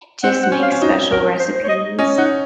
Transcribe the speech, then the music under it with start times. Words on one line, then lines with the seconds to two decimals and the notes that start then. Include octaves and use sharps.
just make special recipes,
0.23 C4 F#5
0.42 F#5
0.52 C#4
0.62 F5
0.72 C#4
0.81 D#4 F#4
1.11 A#4
1.39 C5
1.55 C5
1.64 C#5
1.69 D#5
1.99 C#4 D#5
2.18 D#4 F#5